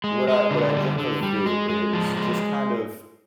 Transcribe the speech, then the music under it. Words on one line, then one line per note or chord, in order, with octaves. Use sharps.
what I what I generally do is just kind of,
G#3
G#3
D3
G3
D3
G3
G#3
G#3
F3
G#3